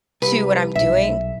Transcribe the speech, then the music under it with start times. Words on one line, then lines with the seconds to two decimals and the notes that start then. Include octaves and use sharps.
to what I'm doing,
0.22 C2 B4
0.76 B1 E5